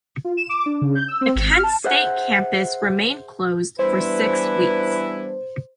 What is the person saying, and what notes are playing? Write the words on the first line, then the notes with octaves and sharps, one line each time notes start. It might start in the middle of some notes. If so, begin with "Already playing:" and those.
The Kent State campus remained closed for six weeks.
F4
E7
D6
D4
C#3
G6
E6
C4
G#1
F6
A5
G#4 C5 E5 F#5
E3 G3 B3 D4 E4 B4 C5